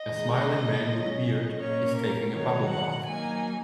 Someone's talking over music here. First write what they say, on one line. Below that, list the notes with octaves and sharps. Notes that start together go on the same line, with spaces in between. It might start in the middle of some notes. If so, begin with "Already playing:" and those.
A smiling man with a beard is taking a bubble bath.
Already playing: D#5
D#3 G#3 D#4
F#3 C#4
A#2 A#3 C#4 C#5
A#4
D#3 F#3 D#4 C#5
F#5
F#3 A#3 D#4 G#5